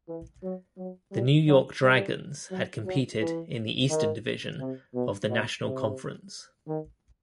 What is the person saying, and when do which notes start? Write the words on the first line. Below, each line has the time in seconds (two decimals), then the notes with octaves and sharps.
The New York Dragons had competed in the Eastern Division of the National Conference.
0.09 E3
0.43 F#3
0.77 F#3
1.12 G3
1.46 F#3
1.82 G3
2.51 F#3
2.86 F#3
3.20 E3
3.90 D#3
4.60 C3
4.94 B2
5.29 B2
5.63 C3
6.67 D#3